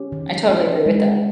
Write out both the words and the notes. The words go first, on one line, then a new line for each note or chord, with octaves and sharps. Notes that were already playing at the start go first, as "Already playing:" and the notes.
I totally agree with that.
Already playing: C#4 G4
D#3
C#4
G#3